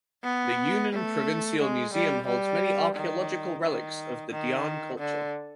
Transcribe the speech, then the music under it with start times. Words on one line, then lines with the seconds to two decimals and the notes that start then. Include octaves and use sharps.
The Yunnan Provincial Museum holds many archaeological relics of the Dian culture.
0.24 B3
0.93 A3
1.60 G#3
1.94 G3
2.28 G3
2.96 D#3
3.63 D#3
4.31 D#3
4.99 D3